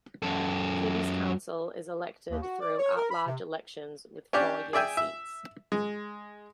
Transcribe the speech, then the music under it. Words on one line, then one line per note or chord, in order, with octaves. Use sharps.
Cudahy's council is elected through at-large elections with four-year seats.
F#2 A4
D#2
F#4
D5
C#5
A#4
B5
C3
C#4 D4 G4 D5
G#4 D5 E5 G5 G#5
E5
G#3